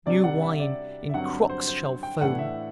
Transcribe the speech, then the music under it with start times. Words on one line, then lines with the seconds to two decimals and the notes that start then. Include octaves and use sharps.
New wine, in crocks Shall foam!
0.06 C3 G3 D4 D5
0.24 F#5
0.42 E5
0.60 D5
1.09 E5
1.14 G2 D3 F#3 C4 F#5
1.50 C5
1.68 C5
2.03 G5
2.21 A2 E3 A3 D4 F#5
2.39 E5